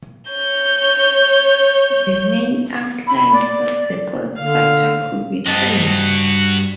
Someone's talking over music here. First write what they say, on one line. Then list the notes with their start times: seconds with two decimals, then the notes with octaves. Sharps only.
The main outlines of the old structure could be traced.
0.31 C#5 G6
3.07 B5
3.33 D5
4.37 D3 F5
5.46 G2 F#4 D#5 A5